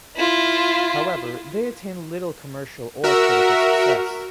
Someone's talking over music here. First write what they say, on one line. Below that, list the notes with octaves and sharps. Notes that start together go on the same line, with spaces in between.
However, they attained little commercial or critical success.
E4 F4
F#4 A#4 E5